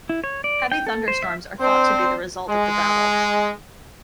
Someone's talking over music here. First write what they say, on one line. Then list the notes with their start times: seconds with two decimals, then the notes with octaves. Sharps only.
Heavy thunderstorms are thought to be the result of the battle.
0.09 E4
0.24 C#5
0.44 D5
0.72 G5
0.87 A4
1.08 C5
1.23 E5
1.60 C4 D4 C5
2.49 G#3